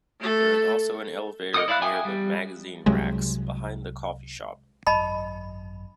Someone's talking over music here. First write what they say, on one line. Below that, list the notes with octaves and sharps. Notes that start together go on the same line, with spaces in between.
There is also an elevator near the magazine racks, behind the coffee shop.
A3 A4
A#4 D#5 F#5 D6 D#6
E4 D5 F5 B5 F#6
E5 G5 G#5 D6 D#6
G3
C2 C3 F#3 G#3
G#1 F#2 D#5 A5 B5